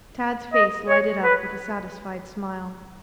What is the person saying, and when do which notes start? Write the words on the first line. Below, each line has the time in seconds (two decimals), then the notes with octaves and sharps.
Tad's face lighted up with a satisfied smile.
0.53 D#5
0.89 C#5
1.24 B4